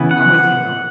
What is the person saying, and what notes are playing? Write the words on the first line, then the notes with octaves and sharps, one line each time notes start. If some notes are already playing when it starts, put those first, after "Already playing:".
I'm with you though,
Already playing: C#3 E3 B3 E4
F#5